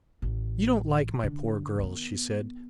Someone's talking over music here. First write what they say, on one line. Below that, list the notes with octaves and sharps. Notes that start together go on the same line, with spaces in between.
"You don't like my poor girls," she said.
A1
D3
D#3 B3